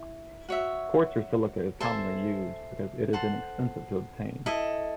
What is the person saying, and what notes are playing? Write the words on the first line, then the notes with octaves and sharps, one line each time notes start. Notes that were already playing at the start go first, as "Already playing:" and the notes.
Quartz or silica is commonly used because it is inexpensive to obtain.
Already playing: E4
F#4 C#5 E5
A4 C5 E5 G#5
A4 C5 F#5
E4 A4 D#5